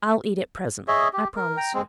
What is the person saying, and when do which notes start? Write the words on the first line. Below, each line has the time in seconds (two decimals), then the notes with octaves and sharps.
I'll eat it presently; I promise you.'
0.88 G#4 C#5 D#5 E5
1.13 G4
1.36 A#4
1.57 G5 A#5
1.74 G#3 C4